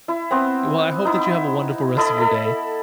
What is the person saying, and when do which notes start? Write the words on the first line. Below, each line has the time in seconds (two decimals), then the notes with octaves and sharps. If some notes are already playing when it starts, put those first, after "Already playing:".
Y well, I hope that you have a wonderful rest of your day.
0.08 E4
0.31 B3 C4
1.05 D#4 E4
1.97 E4 A4 D#5 B5
2.18 A4 B5